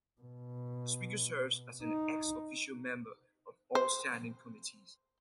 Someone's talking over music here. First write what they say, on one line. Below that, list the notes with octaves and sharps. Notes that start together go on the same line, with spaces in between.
The Speaker serves as an ex-officio member of all standing committees.
B2
D#4
C5